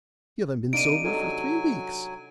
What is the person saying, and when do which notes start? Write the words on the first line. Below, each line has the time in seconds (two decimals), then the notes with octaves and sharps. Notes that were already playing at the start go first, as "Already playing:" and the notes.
You haven't been sober for three weeks.
0.73 C3 A#3 D4 D#4 D7 D#7
1.04 F#3 D#4 A4 G#5